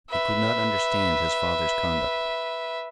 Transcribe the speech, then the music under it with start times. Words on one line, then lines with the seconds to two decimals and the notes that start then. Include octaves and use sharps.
He could not understand his father's conduct.
0.10 B4 E5